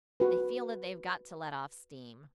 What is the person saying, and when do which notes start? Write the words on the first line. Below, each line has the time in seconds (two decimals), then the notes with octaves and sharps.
They feel that they've got to let off steam.
0.20 F#4 B4